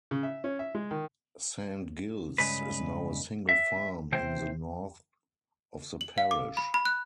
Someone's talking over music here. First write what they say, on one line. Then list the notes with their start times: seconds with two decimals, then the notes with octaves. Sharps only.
Saint Giles is now a single farm in the north of the parish.
0.11 C#3
0.23 E5
0.44 C#4
0.59 E5
0.75 G#3
0.91 D#3
2.38 G2 C#3 G#3 B4
3.49 E5
4.12 C3 E3 C5 G5
6.01 F#7
6.18 F5
6.31 D6
6.57 B5
6.74 B5
6.85 F#6